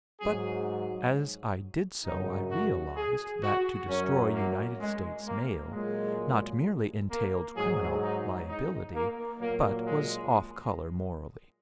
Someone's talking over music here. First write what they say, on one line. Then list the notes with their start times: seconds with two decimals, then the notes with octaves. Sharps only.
But as I did so I realized that to destroy United States mail not merely entailed criminal liability, but was off color morally.
0.21 G#2 F#3 G#4
2.05 F#2 C#3 F#3 D#4
2.51 F#4
2.97 G#4
3.43 F#4
3.88 F#2 F#3 C#4
4.34 A#3
4.80 G#3
5.27 A#3
5.72 A#2 F#3 G#3
7.10 A#3
7.56 G#2 F#3 G#4
8.03 D#4
8.49 D#4
8.94 A#3
9.40 A#2 F#3 A#3
9.87 G#3